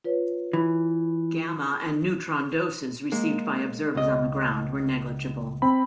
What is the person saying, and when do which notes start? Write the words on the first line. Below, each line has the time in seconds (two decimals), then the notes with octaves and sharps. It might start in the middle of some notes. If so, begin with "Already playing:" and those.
Gamma and neutron doses received by observers on the ground were negligible.
0.04 F4 B4 C#5
0.53 E3
3.12 G#3 A#3
3.95 C#2 D#5
5.62 C4 B5